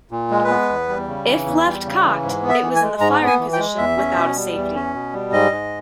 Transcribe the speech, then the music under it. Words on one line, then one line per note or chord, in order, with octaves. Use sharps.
If left cocked, it was in the firing position without a safety.
A#2
G#3
B4
B3
E2
G3
C#3
E3
E2
G3
C#3
E3
G#2
B3
E5
E3
G#5
G#3
G#2 A#5
B3
G#5
E3
G5
G#3
E2 E5
C#4
B2
G3
E2
C#4
B2
G3
G#2 D#5
G#2